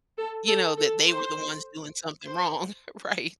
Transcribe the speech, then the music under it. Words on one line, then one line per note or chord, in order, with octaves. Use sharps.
You know, that they were the ones doing something wrong, right?
A4
A4
A4
C5
C5